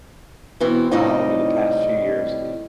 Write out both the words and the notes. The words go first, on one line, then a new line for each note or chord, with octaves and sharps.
uh, over the past few years,
B2 E3 C4
F2 A2 C3 G3 D#4 D#5